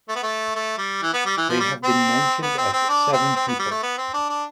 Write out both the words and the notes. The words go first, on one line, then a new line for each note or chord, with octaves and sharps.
They have been mentioned as seven people.
A3
B3
A3
A3
G3
E3
B3
G3
E3
F3
G3
C4
B3
C4
C4
D4
C4
C4
B3
G3
A3
B3
C4
D4
D4